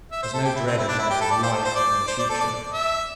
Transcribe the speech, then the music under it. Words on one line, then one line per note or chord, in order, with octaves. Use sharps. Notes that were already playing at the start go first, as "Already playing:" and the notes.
Has no dread of wanting "life" in the future.
E5
C5
A4
G4
E4
C4
E4
D4
E4
G4
A4
D5
C5
A4
C5
D5
C5
D5
A4
D5
E5